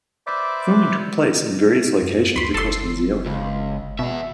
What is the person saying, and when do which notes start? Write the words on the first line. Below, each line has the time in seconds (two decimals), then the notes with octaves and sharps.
Filming took place in various locations across New Zealand.
0.27 B4 C5 D5 E5 D6
2.02 F#2
2.36 D2 B5 C6
2.54 F#1 A4 C6
3.26 C#2
3.99 B2 B3 E5